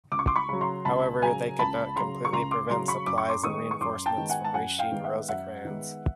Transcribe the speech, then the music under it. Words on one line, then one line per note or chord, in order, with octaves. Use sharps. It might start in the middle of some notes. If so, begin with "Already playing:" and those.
However, they could not completely prevent supplies and reinforcements from reaching Rosecrans.
C#2 D6
C#6
C6 D6
B5 C#6
C#3 F#3 B5
A#5 C6
C#2 A5 B5
C#3 F#3 G#5 A#5
C#2 A5 B5
C#3 F#3 A#5 C6
C#6
C#2 A#5 C6
C6 D6
C#3 F#3 A#5 C6
B5 C#6
F#2 D6
C#6
C6 D6
D#3 G#3 B3 C#6 D#6
C#6
F#2 C6 D6
G5 A5
D#3 G#3 B3
F#5 G#5
A5
F#2 F#5 G#5
F5 G5
D#3 G#3 B3
E5 F#5
F#2 E5 F#5
D#3 G#3 B3